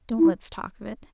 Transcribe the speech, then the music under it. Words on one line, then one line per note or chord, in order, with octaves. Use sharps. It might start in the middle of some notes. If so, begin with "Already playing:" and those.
Don't let's talk of it.
E4